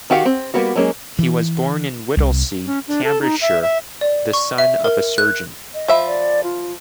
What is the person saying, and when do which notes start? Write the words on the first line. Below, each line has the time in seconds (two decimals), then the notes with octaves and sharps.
He was born in Whittlesey, Cambridgeshire, the son of a surgeon.
0.10 D#3 F#4 G4 F5 F#5
0.25 C4
0.54 G3 A#3 B3 F#4
0.76 F#3 G#3 A#3 C#4 G#4
1.19 E3
2.17 C2
2.66 C#4
2.88 D4
3.04 A4
3.21 D#4
3.42 E5
3.62 E5
4.01 D5
4.33 C#6
4.58 E5
4.84 A#4
5.18 F#6
5.74 D#5
5.88 F3 E5 B5
6.06 D5
6.44 F4